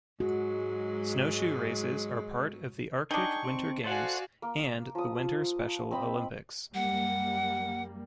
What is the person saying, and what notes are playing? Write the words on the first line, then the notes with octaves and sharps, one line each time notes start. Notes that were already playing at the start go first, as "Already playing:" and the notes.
Snowshoe races are part of the Arctic Winter Games and the winter Special Olympics.
G#2 F#3 G#3 F#4
D4 D#4 G#4 G5 C#6
C4
F#4 A4 C5 D5 F5 F#5 G#5
A#3
F3 D#6
C4 D#5 B5
F#2 G3 A#3 F#5